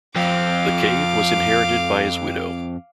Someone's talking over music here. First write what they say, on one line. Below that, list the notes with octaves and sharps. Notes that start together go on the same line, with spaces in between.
The cave was inherited by his widow.
F2 C4 F5 D6